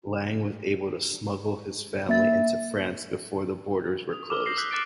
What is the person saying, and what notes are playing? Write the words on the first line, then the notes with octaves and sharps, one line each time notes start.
Lang was able to smuggle his family into France before the borders were closed.
A#3 E5 A6
D#6
D6 E6 F6 G7
G6 A#6 C7 F#7
D6 E6 F#6 G6 B6
D6 F#6 A6 C#7 D7